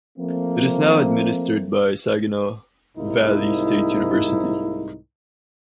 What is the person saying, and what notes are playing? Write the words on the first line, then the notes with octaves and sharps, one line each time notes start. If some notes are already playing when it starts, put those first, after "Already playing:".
It is now administered by Saginaw Valley State University.
F3 A3 A#3 C4
C2 G#2 A#3 D#4 E4